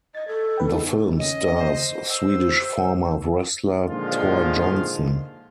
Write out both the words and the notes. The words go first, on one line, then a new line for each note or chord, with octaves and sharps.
The film stars Swedish former wrestler Tor Johnson.
D#5 G#6 A6
A4
B4 G5
B3 D#4 G#4
C#4 D#5
C5
E6
A#2 D3 D#3 F3 G#3 F4